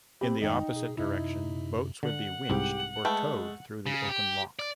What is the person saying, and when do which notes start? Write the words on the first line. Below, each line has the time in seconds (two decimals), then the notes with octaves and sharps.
In the opposite direction boats would be winched or towed through the open lock.
0.21 C4 G4 B5
0.42 F#2 D#3 G#3 D#4 G5
0.73 B2 G#4
0.97 F#2 C3 D#4 E4
2.03 D3 F#5
2.50 C2 G#2 G4
3.05 G#3 A3 B4 F5 G5
3.86 C#3
4.09 G4
4.59 D5